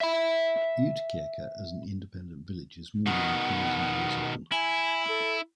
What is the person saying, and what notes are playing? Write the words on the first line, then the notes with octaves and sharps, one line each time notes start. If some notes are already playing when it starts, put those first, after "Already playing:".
Uitkerke, as an independent village, is more than a thousand years old.
E5 B5
B2 D#3 F#5
E4 G#5
A4